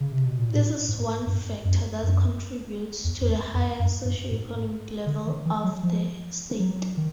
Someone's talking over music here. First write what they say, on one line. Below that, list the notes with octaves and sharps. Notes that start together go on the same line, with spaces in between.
This is one factor that contributes to the higher socioeconomic level of the state.
C#3
C3
B2
A#2
A2
G#2
G2
F#2
F#2
E2
F2
E2
F2
F#2
G2
G#2
D3
D#3
E3
F#3
F3
F#3
D#3